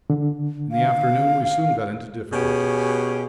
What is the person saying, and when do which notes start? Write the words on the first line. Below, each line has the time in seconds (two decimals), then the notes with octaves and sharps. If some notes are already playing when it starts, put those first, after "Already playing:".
In the afternoon we soon got into difficulties.
0.10 D3
0.72 F5
2.33 B2 C#4 G4 G#4